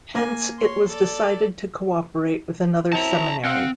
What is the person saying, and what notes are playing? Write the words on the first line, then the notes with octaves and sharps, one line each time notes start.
Hence it was decided to cooperate with another seminary.
A#3 G#5
C#5 C6
A4 D5
F#2 C4 E4 A5 A#5
C4 F5 F#5